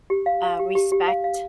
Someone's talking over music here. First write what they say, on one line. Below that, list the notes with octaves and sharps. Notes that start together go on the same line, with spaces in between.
uh, respect,
G4
F5
F5
G4
G4
G4
F5
F5